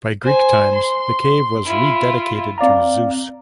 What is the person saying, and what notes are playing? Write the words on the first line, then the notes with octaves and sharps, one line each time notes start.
By Greek times the cave was rededicated to Zeus.
C5 G#5
C6
E4 F4
C4 D5 F5 A#5